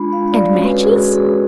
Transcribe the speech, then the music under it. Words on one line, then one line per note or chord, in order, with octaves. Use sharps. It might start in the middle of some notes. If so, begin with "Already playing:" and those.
"And matches?"
Already playing: G#3 D4 F4 B5
F5
F5
D5
G#3 C#4 F#4 C#5
B4
A4
G#4
F#4
G#4
A4